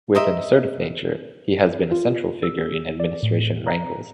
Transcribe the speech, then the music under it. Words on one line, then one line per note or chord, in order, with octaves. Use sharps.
With an assertive nature he has been a central figure in administration wrangles.
C4 A#4 D#5 E5
F4
E6
D5
A2
A#5